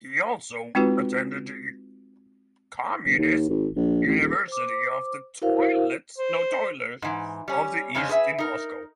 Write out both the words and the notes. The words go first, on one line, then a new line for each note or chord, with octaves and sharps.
He also attended the Communist University of the Toilers of the East in Moscow.
G#3 C4 D#4 F4 F#4 B4
G1
D#2
G#1
A#1
A1
D#1
C5 D6
E4 F#4 A#4 C5 F5
C5
G#2 E3
G3 C#4
F2 C#3 G#3 C4 C#4
G#4 B4 E5
D#4 A#4